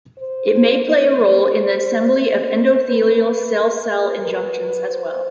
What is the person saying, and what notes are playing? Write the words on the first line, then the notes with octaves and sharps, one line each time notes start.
It may play a role in the assembly of endothelial cell-cell junctions, as well.
C5
C5
C5
B4
A#4
B4
C5